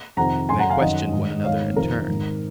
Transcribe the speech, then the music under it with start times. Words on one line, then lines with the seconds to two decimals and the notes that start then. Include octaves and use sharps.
And they questioned one another in turn.
0.17 F2 C3 D#3 F#5 A#5
0.49 F#2 C#3 G#5 C6
0.59 F#5 A#5
0.70 F5 G#5
0.80 F#2 D#3 D#5 F#5
1.13 G#2 D#3
1.44 G#2 D#3 C#5 F5
1.76 F2 C3 D#3 A#4
2.08 G#2 D#3